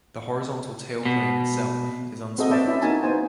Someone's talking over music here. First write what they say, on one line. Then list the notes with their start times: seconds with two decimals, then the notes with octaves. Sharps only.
The horizontal tailplane itself is unswept.
1.05 B2
2.38 C4 F#4 G#4 A4 D#5
2.50 B3 C4 D5 E5 G5 A5
2.66 C#4 E4 E5
2.81 A#3 D#4 F#4 G#5 A5
3.03 B3 D#4 C5 G#5